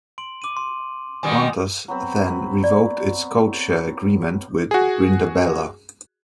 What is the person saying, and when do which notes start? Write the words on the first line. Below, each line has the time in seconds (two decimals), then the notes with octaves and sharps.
Qantas then revoked its codeshare agreement with Brindabella.
0.18 C6 D7 F#7
0.42 D6 D#7
0.57 C6
1.23 B2 D#3 G3 G#5 D#6
1.88 F#3 B3 C4
2.64 D5
4.71 F#4 G#4